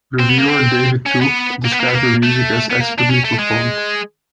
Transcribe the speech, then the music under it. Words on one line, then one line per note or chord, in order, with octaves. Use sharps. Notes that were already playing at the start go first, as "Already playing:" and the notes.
Reviewer David Toub described her music as "expertly performed".
C4
B3
A#3
C4
C#4
B3
A#3
B3
A#3
B3
A#3
A3
B3
A#3
D4
C#4
A3
G#3